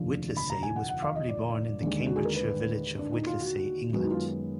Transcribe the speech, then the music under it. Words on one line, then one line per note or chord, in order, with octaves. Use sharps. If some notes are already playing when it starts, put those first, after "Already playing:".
Whittlesey was probably born in the Cambridgeshire village of Whittlesey, England.
Already playing: F1 D#2 D3 F3
B5
A#5
G#5
F#5
F#5
F5
D#5
D5
D#2 D3 G#3
F#4
G#4
A#4
B4
D4
D#4
F4
F#4
F#2 D#3 G#3 B3 F#4
D#4
F4